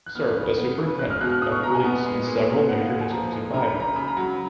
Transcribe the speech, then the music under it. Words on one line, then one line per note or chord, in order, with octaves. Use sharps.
He served as superintendent of police in several major districts of Bihar.
F#6
B3 F6
C#3
B3
C#3
G#3 F#6
F6
B2 F#6
F6
B2 D#6
C#6
B2 A#5
G#5
B3
G#3
A#2
A#2
B3 F#5
F5
A#2 F#5
G#5
F3 A#5
G#3
C#3 A#5
B5
C#3
A#5
C#3 B5
A#5
F#3